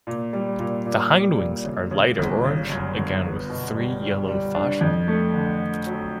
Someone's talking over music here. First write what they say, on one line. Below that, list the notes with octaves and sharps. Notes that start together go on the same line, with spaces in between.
The hindwings are lighter orange, again with three yellow fascia.
A#2
G3
A#2
A#2
G3
A#2
C#3
C#3
G1
C#3
F#2
G1
B3
B2
G3
G3
G3
D4
F2
A3
D3
D3
F#3